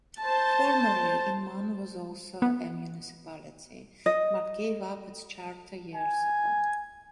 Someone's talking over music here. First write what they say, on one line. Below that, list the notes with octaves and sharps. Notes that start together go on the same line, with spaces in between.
Formerly, Inman was also a municipality, but gave up its charter years ago.
C5 A5
B3
D#5
G#5